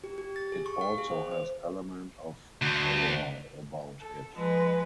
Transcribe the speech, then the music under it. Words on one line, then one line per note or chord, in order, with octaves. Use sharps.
It also has element of horror about it.
G4
G4
A6
G#4
C#6
F5
G#4
C5
C5
D2
A4
F3 G#3 B4